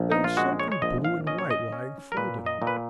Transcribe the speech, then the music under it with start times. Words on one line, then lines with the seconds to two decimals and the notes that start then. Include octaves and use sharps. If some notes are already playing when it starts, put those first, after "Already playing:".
There was something blue and white lying folded on it.
Already playing: A#1
0.12 D#4
0.24 F4
0.37 G#3 F#4
0.60 C#5
0.72 C#5
0.82 A#1 D#5
1.04 F5
1.27 C#4 D#5
1.38 C#5
1.51 D#5
1.72 C#4
2.12 A#4
2.17 A#2 B4
2.46 D#5
2.62 A#2
2.67 B4